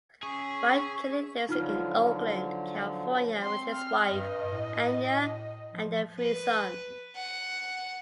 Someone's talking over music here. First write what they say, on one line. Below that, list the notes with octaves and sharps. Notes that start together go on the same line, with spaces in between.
Wright currently lives in Oakland, California with his wife, Anya, and their three sons.
C#4 G#4 E5 C#6
D3 F3 F#3 D#4 F4 F6
C4 C6
F6
G2 D#5
A2
F3
B4
F#5